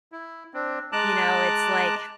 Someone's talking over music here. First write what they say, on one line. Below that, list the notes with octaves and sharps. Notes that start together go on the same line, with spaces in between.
you know, it's like
E4
C4 D4
G#3 A5 A#5 D6 F#6